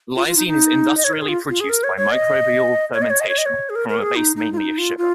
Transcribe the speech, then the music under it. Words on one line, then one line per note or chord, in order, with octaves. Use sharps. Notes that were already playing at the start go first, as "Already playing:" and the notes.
Lysine is industrially produced by microbial fermentation, from a base mainly of sugar.
F4
F4
D#4
D#4
D#5
C#5
A#4
G#4
F4
F4
G#4
A#4
C#5
C#5
D#5
C#5
D#5
C#5
D#5
C#5
D#5
C#5
G#4
A#4
A#4
G#4
D#4
D#4
F4
D#4
F4
F4